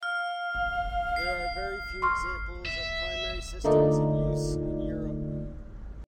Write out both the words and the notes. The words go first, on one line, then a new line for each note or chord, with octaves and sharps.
There are very few examples of primary systems in use in Europe.
F5 F6
C7
C6 C#6 F6
E5
D3 A3 A#3 D#4 F4 D5